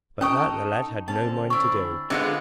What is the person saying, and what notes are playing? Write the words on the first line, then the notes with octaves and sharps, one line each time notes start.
But that the lad had no mind to do.
C#4 D#4 A4 G5 C#6 D#6 F#6
D3 C4 C#4 A5
D4 E4 C#6
D3 G#3 B3 C4 F4 C#5